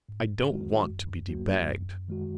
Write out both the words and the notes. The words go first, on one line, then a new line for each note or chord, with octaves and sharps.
I don't want to be debagged!
G#2
D#3 G#3 F#4
F#2
F#3 A#3 F#4
F#2
D#3 G#3 F#4